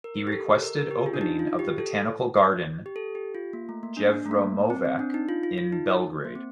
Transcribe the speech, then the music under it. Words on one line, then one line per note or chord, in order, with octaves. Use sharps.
He requested opening of the Botanical garden "Jevremovac" in Belgrade.
A#4
G4
A4
A#4
A#4
G4
F4
D4
D#4
F4
G4
A4
G4
A4
G4
F4
A#3
A3
A#3
D4
D4
A3
A#3
C4
C4
D4
D#4
F4
F4
F4
D#4
A#3
C4